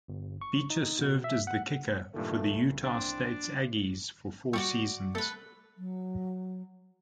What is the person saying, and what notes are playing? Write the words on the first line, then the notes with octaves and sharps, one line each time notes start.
Beecher served as the kicker for the Utah State Aggies for four seasons.
G1
C#6
D#4
B2
E5
F#5
G2 A#2 D#3 A3
C2
C4 D4
G3 F#4 D5 C#6
A3 A4 B4
F#3